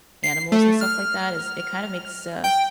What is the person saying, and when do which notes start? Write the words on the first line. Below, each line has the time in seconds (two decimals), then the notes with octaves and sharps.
animals and stuff like that is it kind of makes, uh,
0.24 C7
0.52 A3
0.81 F6
2.44 G5